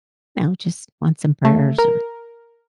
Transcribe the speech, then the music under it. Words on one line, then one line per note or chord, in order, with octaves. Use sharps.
you know, just want some prayers or
A3
A#4